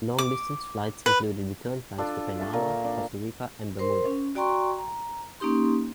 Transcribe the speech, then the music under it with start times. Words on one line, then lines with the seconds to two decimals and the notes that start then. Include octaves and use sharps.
Long-distance flights included return flights to Panama, Costa Rica and Bermuda.
0.19 D6
1.06 B4
1.98 D4 F4 A4
2.39 E5 F5 A5 C#6
2.53 A#2 A#5 C#6
2.84 D4
3.79 A#4 C5 C6
4.06 C#4
4.35 F#4 D5 G5 A#5 C6 C#6
4.79 A#5
5.40 A#3 C#4 D#4 G4 C6